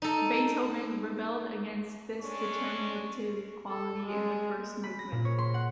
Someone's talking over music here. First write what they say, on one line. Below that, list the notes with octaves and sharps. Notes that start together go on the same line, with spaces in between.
Beethoven rebelled against this determinative quality in the first movement.
D#4 A4
G#3 C#4 D4 C#6
A4
G#3
B5
A#6
A#2
C#5
C6
F#5